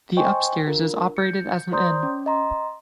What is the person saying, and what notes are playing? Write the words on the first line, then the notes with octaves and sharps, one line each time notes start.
The upstairs is operated as an inn.
C5 D#5 G5 G#5 C6 C#6
D4 F4 A#4
G6 A6 C#7
C5 D5 A#5 C6 D#6 G6
C#4
D#5 A#5 C6